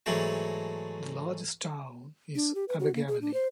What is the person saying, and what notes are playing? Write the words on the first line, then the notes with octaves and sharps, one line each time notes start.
The largest town is Abergavenny.
G#2 E3 F#3 A3 D4 F#4
D4
G4
B4
F#4
A#3
G#4
D4
C5